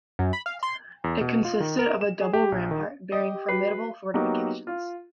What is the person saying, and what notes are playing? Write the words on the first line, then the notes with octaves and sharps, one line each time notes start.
It consisted of a double rampart bearing formidable fortifications.
F#2
B5
F5
C6
E2
B2
F4
D#3
A#4
E7
G#4
G4
A#1
D#3
G4 D#5
F#4 B4 C7
F#3 A#3 B3 D#4 F#4 G4
F4